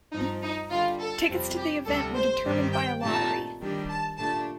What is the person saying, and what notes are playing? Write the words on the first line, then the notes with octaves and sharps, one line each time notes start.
Tickets to the event were determined by a lottery.
G2 F3 C4 D#4
D#4
D3 G3 D4 F4
A4
F2 C3 G3 C4
G4
D2 C3 G3 A4
C5
G2 D#3 G3 C4 G4
G5
A#2 A3 C4 D#4 G4 A5
D#3 G3 D4 G4
A5
A#2 A3 D4 G4 A5